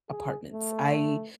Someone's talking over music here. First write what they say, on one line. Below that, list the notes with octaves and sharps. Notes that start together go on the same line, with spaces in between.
apartments. I
G#4
A3